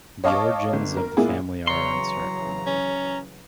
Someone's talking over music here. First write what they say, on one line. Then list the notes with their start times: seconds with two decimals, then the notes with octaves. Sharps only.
The origins of the family are uncertain.
0.24 C#5 D#5 F5 A5 C#6 D6
0.73 G1
0.97 A#4
1.17 A#2 A#3 B3 E4 G#4
1.67 C#3 E3 F#3 C#5 A#5 C6
2.67 C#4